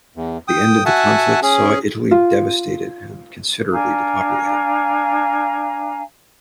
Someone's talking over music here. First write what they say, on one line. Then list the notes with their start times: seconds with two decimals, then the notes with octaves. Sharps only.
The end of the conflict saw Italy devastated and considerably depopulated.
0.16 E2
0.48 G5 D#6
0.86 F#4 E5 F#5 G#5 A5
1.43 C#4 G#4
2.11 F4
3.72 D4 F5 G#5 A#5